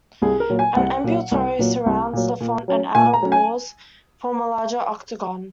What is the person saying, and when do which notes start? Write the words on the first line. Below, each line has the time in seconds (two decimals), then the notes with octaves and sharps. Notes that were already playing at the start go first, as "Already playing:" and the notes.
An ambulatory surrounds the font and outer walls form a larger octagon.
0.22 C2 G#4
0.40 A#4
0.49 A#2 F#3
0.59 G#5
0.76 C2 F#5
1.04 A#2 F#3
1.31 C2
1.59 A#2 F#3
1.86 C2
2.13 A#2 F#3
2.40 A#2
2.68 F#3 C#4
2.95 A#2 G#5
3.13 A#5
3.23 F#3 C#4
3.32 G#5